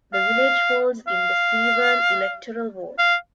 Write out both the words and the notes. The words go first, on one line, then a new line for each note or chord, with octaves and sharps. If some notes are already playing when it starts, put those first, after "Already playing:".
The village falls in the 'Severn' electoral ward.
F5
F5
F5